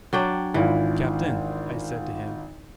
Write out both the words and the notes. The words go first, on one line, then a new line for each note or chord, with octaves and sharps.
"Captain!" I said to him.
F#3 D4 G5
G#1 E3 F4